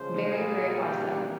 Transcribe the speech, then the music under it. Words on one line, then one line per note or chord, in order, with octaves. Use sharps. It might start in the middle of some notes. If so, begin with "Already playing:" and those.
Very, very awesome.
Already playing: C#3 F3 G#3 C5
A#2 G3 A#3 G#4
G4